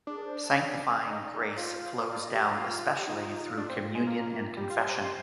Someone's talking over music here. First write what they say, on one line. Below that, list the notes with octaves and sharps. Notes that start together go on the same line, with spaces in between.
Sanctifying grace flows down especially through communion and confession.
D4 G#4
A#4
C5
D5
F5
D#4 D#5
D5
G#4
A#4
F4 C5
D5
D#5
G4
F4
G#4
G4
D#4 F4
D4
C4
G#3
A#3
F4
G3 G4
F4
C5
C5